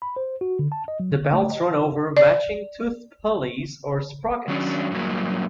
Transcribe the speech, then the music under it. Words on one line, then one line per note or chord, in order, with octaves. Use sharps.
The belts run over matching toothed pulleys or sprockets.
B5
C5
F#4
D3
A5
D#5
F#3
D3
A3
D#5
D5
D#3 F#3 C#4 D4
G2 A#2 E3 F#3 A#3